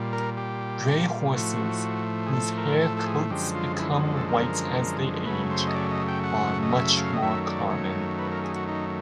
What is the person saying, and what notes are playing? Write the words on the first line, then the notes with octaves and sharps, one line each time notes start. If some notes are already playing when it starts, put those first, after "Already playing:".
Gray horses, whose hair coats become white as they age, are much more common.
Already playing: A#2 G3
A#4
G4
A2 F3 A3 F#4
G#4
A4
A#4
A4
A4
G#4
F#2 D3 F3 G#3 G4
F4
E4
D#4
A4
A#4
F#2 C#3 F#3 A3 B4
C5
D#5
D5
D#5
G5
F#5
D#5
E5
F5
D#5
F#2 D#3 F#3 A3 E5
D5
C#5
B4
A#4
G#4
F#4
D#4